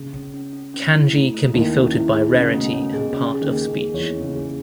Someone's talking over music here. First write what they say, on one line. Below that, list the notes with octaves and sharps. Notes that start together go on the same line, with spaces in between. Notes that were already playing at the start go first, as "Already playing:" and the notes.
Kanji can be filtered by rarity and part of speech.
Already playing: C#3
C#4
C#4
C#4
C#4
E4
A3
A3
D#2 D#3 E4
C#4
E4
G#4
C#3 C#4
B2 A3
C#3 C#4
B2 G#4
B2
C#3 C#4
G#4
D#2 D#3
G#4
D#2 D#3
G#4
E2 E3 C#5
C#4
C#3
G#4